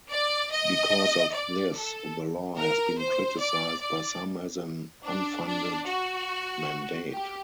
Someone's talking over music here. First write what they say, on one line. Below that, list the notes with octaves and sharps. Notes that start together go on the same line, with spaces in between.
Because of this, the law has been criticized by some as an unfunded mandate.
D5
D#5
D5
A4
A#4
C5
D5
D5
D4
D4
F#4
G4